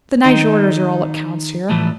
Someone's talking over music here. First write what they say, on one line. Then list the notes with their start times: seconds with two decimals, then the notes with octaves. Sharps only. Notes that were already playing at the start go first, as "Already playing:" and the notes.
The Nyjorders are all that counts here.
0.24 D#3 D#4
1.70 A2 E3 F3 G3 A3